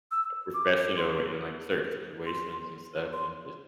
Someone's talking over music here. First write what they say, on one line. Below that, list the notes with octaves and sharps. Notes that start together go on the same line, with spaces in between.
a professional in, like, certain situations, and stuff and just
E6
D6
C6
C6
C6